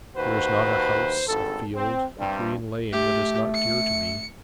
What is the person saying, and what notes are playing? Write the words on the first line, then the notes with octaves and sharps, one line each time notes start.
There is not a house, a field, a green lane, that is not dear to me.
D#2 F#4 B4 C5
G#1 G2 A4
C4
G2 C3 G3
A3 G4
C#7